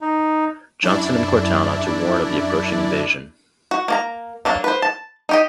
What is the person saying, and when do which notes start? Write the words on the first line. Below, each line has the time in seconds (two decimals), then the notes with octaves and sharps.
Johnson and Cortana to warn of the approaching invasion.
0.01 D#4
0.83 F#2 D4 E4 D5
3.71 F#4
3.88 A#3 D5 A#5
4.45 F#3 A#3 D4
4.64 B4 C5
4.82 A5
5.29 D#4 G4 D#5